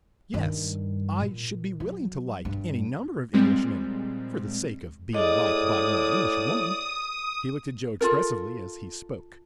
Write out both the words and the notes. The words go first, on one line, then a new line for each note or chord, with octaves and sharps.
"Yes--I should be willing to like any number of Englishmen for the sake of being liked by one Englishwoman." He looked at Joe expressively as he spoke.
G2 D#3
A#2
F#3
G2
A#2 F3 G3 G#3 C4
A2 G#4 D5 D#5 D#6
F4 A4 A#4